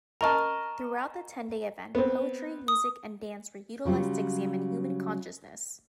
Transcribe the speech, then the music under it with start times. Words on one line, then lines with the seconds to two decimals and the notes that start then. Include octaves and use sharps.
Throughout the ten-day event, poetry, music, and dance were utilized to examine human consciousness.
0.21 A#4 D#5 A5 A#5 C#6 F6
1.95 B3 C4
2.68 D#6
3.85 C#3 F#3 G3 F4